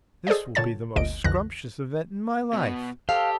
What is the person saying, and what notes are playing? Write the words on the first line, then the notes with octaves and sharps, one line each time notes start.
This will be the most scrumptious event in my life.
G#4 A4 C5 D5 D#5
A#2 D3 C#5 A5 A6
G1 D2 A#2 D#5 D7
B1 F2 D3 E3 F#6 A#6
B2 B3
G4 A4 C5 D#5 F5